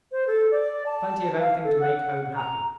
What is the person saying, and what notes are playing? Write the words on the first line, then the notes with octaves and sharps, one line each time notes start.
Plenty of everything to make home happy.
C5
A4
D5
A5
F5
A4
F#5
A#5